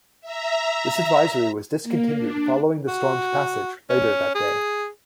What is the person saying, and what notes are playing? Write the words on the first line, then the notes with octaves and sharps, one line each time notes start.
This advisory was discontinued following the storms' passage later that day.
E5 A#5
A#3
D4
F#4
C#4
G#4